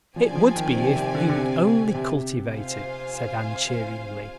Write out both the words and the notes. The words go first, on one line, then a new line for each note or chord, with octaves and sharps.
"It would be if you'd only cultivate it," said Anne cheeringly.
F3 C4 G4 D5 G#5
F3
D#3
C3
C3
D3
D3
C3
C3
F4 C5 F5 G#5